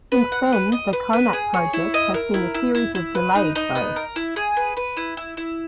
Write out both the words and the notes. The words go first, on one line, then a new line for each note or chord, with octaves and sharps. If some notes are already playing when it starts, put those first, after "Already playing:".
Since then, the Comac project has seen a series of delays, though.
B4
F#5
B4
D#5
B4
B4
G#4
C#5
E4
D#5
A#4
E4
E4
E4
E4
B4
D#4
D#4
B3
A#4
E4
G#4
B4
B4
E4
E4
E4